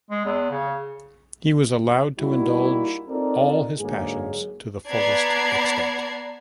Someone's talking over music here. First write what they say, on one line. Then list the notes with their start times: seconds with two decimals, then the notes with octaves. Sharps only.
He was allowed to indulge all his passions to the fullest extent.
0.11 G#3
0.25 E2
0.51 C#3
2.19 G3 A#3 D#4 E4 F#4 G4
3.08 C4 D#4 F4 A4 A#4 D5
3.79 G#2 D3 F#3 A#3 G#4
4.88 B3 D5 A5 A#5 G#6 C7